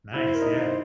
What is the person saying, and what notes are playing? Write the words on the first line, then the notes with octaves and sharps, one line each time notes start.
Nice, yeah.
E4 C5
A#4
D#4
C5